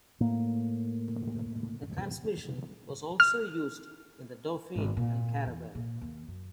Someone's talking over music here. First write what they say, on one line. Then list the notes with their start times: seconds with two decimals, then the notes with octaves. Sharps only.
The transmission was also used in the Dauphine and the Caravelle.
0.20 A2 A#3
3.20 F6
4.75 G#1
4.97 A#2
5.46 E2
5.75 A#2
6.01 D#2
6.28 F#2